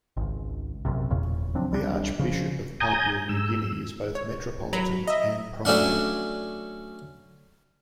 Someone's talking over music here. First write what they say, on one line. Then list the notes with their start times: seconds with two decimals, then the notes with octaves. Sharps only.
The Archbishop of Papua New Guinea is both Metropolitan and Primate.
0.17 G#1 C#2
0.85 A#1 F#2 C3
1.10 F1 E2 A#2 C#3
1.55 F3 F#3 C4 D4
1.71 C#2 G3 G#3 D4
2.19 C#3 F3
2.80 G#5 A#5 D#6 G6
3.29 G#2 E6
4.15 C#5
4.73 F#3 A#5 B5
5.07 D#5 E5
5.65 F#3 A3 C#4 D4 F#5